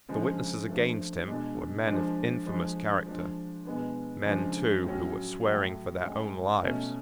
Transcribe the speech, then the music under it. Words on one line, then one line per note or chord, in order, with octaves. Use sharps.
The witnesses against him were men of infamous character, men, too, who were swearing for their own lives.
C#3 F3 G#3 D4
F3 A3 D4
B2 G#3 D4
F3 G#3 D4
F3 G#3 D4
F3 G#3 D4
B2 G#3 B3 D4
C#3 F3 G#3 D4
A2 F#3 C#4
A2 F#3 A3
A2 G#3 C#4
B2 A3 C#4